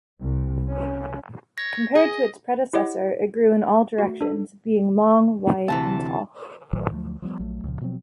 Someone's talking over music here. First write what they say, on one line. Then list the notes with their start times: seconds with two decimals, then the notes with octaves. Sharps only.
Compared to its predecessor it grew in all directions, being long, wide and tall.
0.20 C2
0.69 C#4
1.58 C#5 A#6
1.95 G#4 D#5
2.73 E4 G4 C#5 D#5 F#5
3.98 A3 F#4
4.21 D4 A4
5.68 D2 C3 E3 A5
6.73 A1 A2 D#3 F#3
6.91 D2 F3 F#3 A3
7.22 F3 G3 A#3 B3
7.40 A#1 F#3 A3
7.64 C#2 A#2 C#3 F3
7.81 B2 F3 F#3 C4